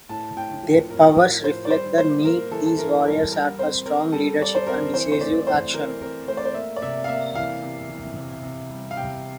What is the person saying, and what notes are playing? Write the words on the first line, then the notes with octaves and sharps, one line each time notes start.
Their powers reflect the need these warriors had for strong leadership and decisive action.
A2 A5
A2 G5
F3
A2 A#4
A2 A#4
F3 C5
D5
G3 C5
A#3 C5
A#3 A#4
E3 A4
A4
E3 A#4
G3 A#4
G3 A#4
C4 C5
C4 A#4
G3 A4
G3 D5
C5
C4 A#4
E3 C5
C5
A3 D5
C4 C5
E3 A#4
C4 A#4
A3 C5
D5
C5
A#3 E5
D5
C3 E5
F5
A#3 E5
E3 F5
C3
E3
C3
C3
G3
F5
C3 G5